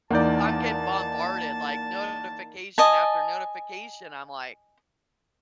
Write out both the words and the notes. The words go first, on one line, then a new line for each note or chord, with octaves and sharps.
I'm getting bombarded, like, notification after notification, I'm like
E2 A#3 D#4 D5 A5 G6
D#5 G#5 A5